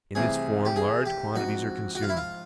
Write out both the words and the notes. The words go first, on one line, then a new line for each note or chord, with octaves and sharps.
In this form large quantities are consumed.
C2 C3 E3 A3 C4 G#4
G4
G#4
G4
A#1 G#2 F3 G#3 C4 F#4
F#4
F4
E4
F4